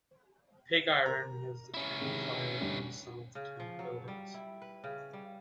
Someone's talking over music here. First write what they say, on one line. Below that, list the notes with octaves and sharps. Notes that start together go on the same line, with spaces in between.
Pigiron has the tank fire on some of the town buildings.
A#4 A#5
C#4 E4
C3 D#3 G#3
F1 D3 G3
C#3
F3
F#3
G3
E4
B4
C#3
G3